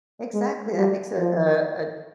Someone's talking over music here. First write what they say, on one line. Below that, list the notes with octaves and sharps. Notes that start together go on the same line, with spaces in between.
Exactly, that makes a a a d
G#3
G3
F3